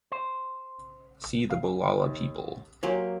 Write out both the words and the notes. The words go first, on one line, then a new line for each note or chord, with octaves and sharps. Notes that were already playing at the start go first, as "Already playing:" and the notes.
See the Bulala people.
C5
F5
D#2
F#3 A#3 G4 C5 G#5 C6